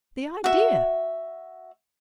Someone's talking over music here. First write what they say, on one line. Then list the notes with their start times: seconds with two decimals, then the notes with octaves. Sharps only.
The idea!
0.44 F#4 E5